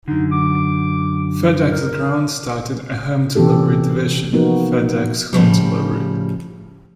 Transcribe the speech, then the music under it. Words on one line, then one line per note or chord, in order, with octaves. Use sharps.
Fed Ex Ground started a home delivery division, Fed Ex Home Delivery.
F#2 D3 D#4
D6
A#4
C3 E3 B3 C#4 G4 A4
F3 A#3 B3 D#4 F#4 A#4
A2 C#3 F3 G3